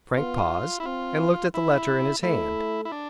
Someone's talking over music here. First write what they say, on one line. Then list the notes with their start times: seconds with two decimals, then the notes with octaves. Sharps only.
Frank paused, and looked at the letter in his hand.
0.17 B3 F4
0.80 E4
0.85 C4 F4
1.54 E4
2.22 A3 E4
2.85 E4
2.92 D4